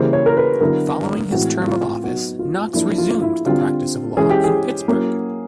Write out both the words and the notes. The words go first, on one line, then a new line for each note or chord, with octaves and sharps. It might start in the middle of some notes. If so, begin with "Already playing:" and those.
Following his term of office, Knox resumed the practice of law in Pittsburgh.
Already playing: C#3 E3 G3 A#3 C5
C#5
A#4
B4
D3 F#3 B3 E4 A#4
A2 E3 G#3 C4 F#4
F4
F#3 B3 D#4 F#4
F4
F3 A#3 D4 E4
F4
E4
D3 G3 C4 F4
E3 G#3 C#4 G#4
G4
G#4
F#3 A#3 C#4 E4